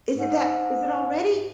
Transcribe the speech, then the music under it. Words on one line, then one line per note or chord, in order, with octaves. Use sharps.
Is it that is it already?
G#2